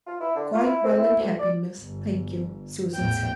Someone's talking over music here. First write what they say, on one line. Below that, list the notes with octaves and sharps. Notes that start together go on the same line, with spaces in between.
"Quite well and happy, miss, thank you," Susan said.
F4
E4
D3
F4
E4
C4
E4
D2
D5
G1
A1 E2 A#2 G5